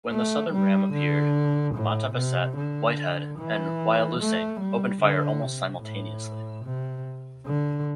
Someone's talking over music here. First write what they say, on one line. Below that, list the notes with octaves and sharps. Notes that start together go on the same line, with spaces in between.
When the Southern ram appeared, "Mattabesset", "Whitehead" and "Wyalusing" opened fire almost simultaneously.
A3
G3
D3
A2
C3
D3
E3
A3
G3
D3
C3
A2
C3
D3